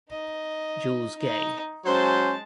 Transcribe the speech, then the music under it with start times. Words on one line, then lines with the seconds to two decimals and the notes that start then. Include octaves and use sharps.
Jules Gay.
0.10 D#4 D#5
1.18 D#4
1.85 F#3 G#3 C#4 C5 A5